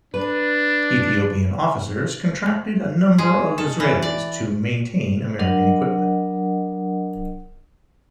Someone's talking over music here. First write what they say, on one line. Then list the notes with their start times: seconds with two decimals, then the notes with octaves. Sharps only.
Ethiopian officers contracted a number of Israelis to maintain American equipment.
0.14 D4 B4
3.18 G#3
3.58 A4
3.80 E3
4.02 D5
5.39 F#3 D4 A#4 D#5 F#5